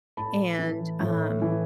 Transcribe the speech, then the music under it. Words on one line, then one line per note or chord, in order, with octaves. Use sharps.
And, um,
A2 A5 B5
E3
A2
E3